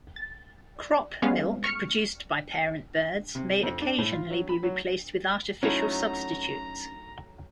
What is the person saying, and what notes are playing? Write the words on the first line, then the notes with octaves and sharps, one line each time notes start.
Crop milk produced by parent birds may occasionally be replaced with artificial substitutes.
A6
G3 G#3 B3 C#4 F5
C#6 F6 C#7
C3
F2
D4
A2
F4
F#3
B5
F#3
F#3 A3 C#4 D#4 E4 A#5